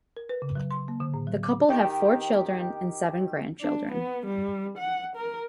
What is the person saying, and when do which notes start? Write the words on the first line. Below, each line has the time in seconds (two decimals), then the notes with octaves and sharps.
The couple have four children and seven grandchildren.
0.17 A#4
0.29 B4
0.42 C#3
0.55 F#3
0.71 C6
0.88 A#3
1.00 D3
1.14 A2
1.27 F#3
1.43 D6
1.69 D#3 G4
3.61 D4
3.93 B3
4.27 G3
4.78 F#5
5.16 A#4